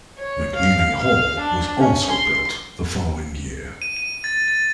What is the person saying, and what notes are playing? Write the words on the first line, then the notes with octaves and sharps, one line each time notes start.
McNeely Hall was also built the following year.
C#5
F5
F5
D4
C#4
C6
D#7
D#7
A6
A6